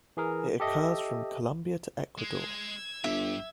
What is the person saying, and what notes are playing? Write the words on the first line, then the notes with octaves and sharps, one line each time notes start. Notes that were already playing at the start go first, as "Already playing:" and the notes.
It occurs from Colombia to Ecuador.
E3 G#4 A#4
G4 A4 D#5 E5
G#3 E6 G#6
G1 G2 G4 E5